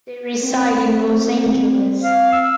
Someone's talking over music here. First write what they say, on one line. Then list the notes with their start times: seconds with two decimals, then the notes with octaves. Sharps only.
They reside in Los Angeles.
0.42 C4
2.03 F5
2.32 E6